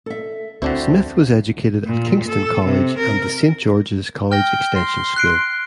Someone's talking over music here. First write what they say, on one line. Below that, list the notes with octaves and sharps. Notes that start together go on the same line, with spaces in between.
Smith was educated at Kingston College and the Saint George's College Extension School.
A4 E5
D2 D3 C4 D4 E4 F#4 C5
A#2
A4
C3
A#4
G5 F6 A#6
C6
F#6 C7 D7